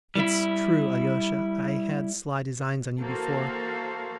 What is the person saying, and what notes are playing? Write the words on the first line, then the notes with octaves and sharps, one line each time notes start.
It's true, Alyosha, I had sly designs on you before.
G3 E4
E3 A#3 F#4 A4 C5 F5